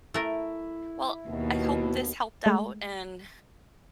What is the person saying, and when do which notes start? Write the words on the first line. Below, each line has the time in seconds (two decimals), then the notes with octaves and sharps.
well, I hope this helped out, and
0.14 A3 E4 A#4
1.29 D#2 B2
2.46 G#3 A3